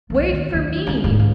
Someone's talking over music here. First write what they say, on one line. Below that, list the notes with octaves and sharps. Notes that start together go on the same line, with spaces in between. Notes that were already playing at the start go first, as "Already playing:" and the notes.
"Wait for me!"
B1 F3
D#2
D#2 F#3
D3 C#4
D1 G#2
C#2